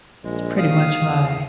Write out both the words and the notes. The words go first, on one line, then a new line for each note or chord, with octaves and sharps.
It's pretty much my
A#1 G#3
F5 D#6
E2